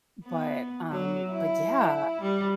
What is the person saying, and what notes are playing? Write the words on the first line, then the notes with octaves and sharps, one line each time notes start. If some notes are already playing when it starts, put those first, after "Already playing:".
But, um, but, yeah.
B3
F#3
E4
G3